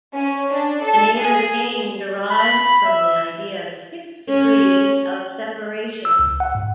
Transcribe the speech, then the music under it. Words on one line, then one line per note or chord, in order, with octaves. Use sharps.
The name of the game derives from the idea of six degrees of separation.
C#4
D4
A4
G#4
B5
E5
C#4
E6
C#2
F#5
G#2